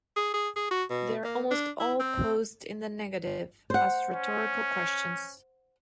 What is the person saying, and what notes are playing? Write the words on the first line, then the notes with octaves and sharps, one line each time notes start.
They are almost all posed in the negative, as rhetorical questions.
G#4
G#4
G#4
F#4
B2
A#3
D4
E4
C4
C5 F#5
C#4